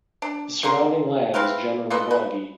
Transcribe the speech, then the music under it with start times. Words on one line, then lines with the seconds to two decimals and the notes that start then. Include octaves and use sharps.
The surrounding land is generally boggy.
0.22 D4
0.63 D3 A#3 C6
1.34 C4 E4 B4 F5
1.90 F4 A4 B4 D#5
2.11 B4